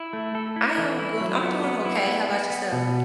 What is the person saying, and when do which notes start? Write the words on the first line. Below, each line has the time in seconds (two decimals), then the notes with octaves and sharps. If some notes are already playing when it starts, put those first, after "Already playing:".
I am goo I'm doing okay. How 'bout yourself?
Already playing: E4
0.13 A3
0.35 A4
0.56 E4
0.78 E3
0.99 E4
1.21 F#3
1.42 B3
1.64 B3
1.85 E4
2.07 B3
2.29 B3
2.50 B3
2.72 B2